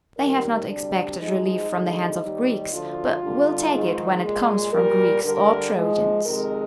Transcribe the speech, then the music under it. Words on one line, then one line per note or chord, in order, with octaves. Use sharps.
They have not expected relief from the hands of Greeks, but will take it when it comes from Greeks or Trojans.
D#2 D#3 G3 A#4
D2 C3 G3 D4
G#2 F3 G#3 D#4
D2 D3 G#3
D#2 D#3 G3
D2 D3 F3 F4
G2 D3 G3
G#2 D#3 G#3
A#2 G#3 G#4
A#2 G3 A#4
G2 D3 G3 A#4
G#2 F3 G#3
F2 C3 D#3 G#3 A#4